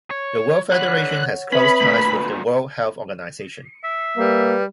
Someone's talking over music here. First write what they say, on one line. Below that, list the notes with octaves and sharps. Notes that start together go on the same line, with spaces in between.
The World Federation has close ties with the World Health Organization.
C#5
D3 B4 C#5 F#5 F#6
C4 C#4 B4 E5 B5 D#6
D2 A#2 A3
E5
G3 A#3 B4